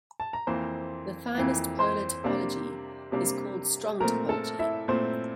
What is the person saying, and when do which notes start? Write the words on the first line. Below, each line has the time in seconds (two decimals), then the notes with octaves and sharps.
The finest polar topology is called strong topology.
0.20 A5
0.33 A#5
0.47 F2 E3 A#3 C5 C6
1.35 F2 E3 A#3
1.79 C5 C6
2.24 C3 G3 A#3 D4
3.12 C3 G3 A#3 D4
4.00 A#2 A3 C4 A#4 A#5
4.29 A4 A5
4.59 E4 E5
4.88 A#2 A3 C4 C5